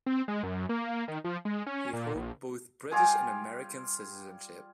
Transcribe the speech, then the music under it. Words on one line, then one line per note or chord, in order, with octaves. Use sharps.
He holds both British and American citizenship.
C4
G#3
F#2
A#3
D#3
F3
G#3
C#4
A#2
A#1
G3 F4 G#4